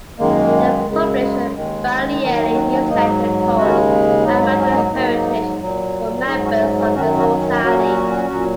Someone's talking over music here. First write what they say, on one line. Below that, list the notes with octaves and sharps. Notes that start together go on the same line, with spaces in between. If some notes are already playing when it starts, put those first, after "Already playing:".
They publish a bi-yearly newsletter called "Our Mountain Heritage" for members of the society.
F#2 D#3 G#3 A#3
F#2 C#3 G#3
D#2 D#3 G#3
D#4
D#2 D#3 F#3 C#4
A#3 D#4
C#4 F#4
C#4 F#4
G#2 F#3 A#3 D#4
D#2 C#3 G#3 C#4 F#4
G#2 F#3 A#3 D#4
A#3
C#4
C#4
A#3 D#4
G#2 F#3 A#3 D#4
A#2 F#3
G#2 F#3 D#4 G#4
C#4 F#4
C#4
C#4
F#2 D#3 F#3 C#4 F#4
C#4 F#4
C#4
A#2 F#3 C#4 F#4
A#2 F#3